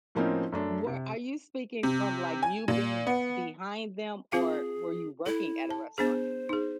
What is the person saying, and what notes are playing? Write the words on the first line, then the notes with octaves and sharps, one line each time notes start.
where are you speaking from, like, you being behind them, or were you working at a restaurant?
A2 F3 A#3 C4 C#4 D#4
F#2 A3 D4
C3
C3
G#5
A#2
B3
C4 F4 G#4 F5
E4 A4
A5
B3 D4 G#4 C5
D#4 G#4